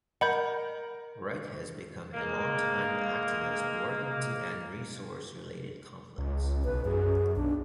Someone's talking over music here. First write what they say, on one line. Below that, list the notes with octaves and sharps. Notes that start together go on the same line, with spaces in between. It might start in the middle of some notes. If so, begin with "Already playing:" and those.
Wright has been a longtime activist working to end resource-related conflicts.
A#4 D#5 F#5 B5 G6
G#3 A#3
C#2
B1 B4
F#2 G#4
B1 D4